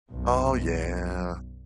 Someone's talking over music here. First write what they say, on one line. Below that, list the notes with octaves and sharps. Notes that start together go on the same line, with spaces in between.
Oh yeah.
B1 F#2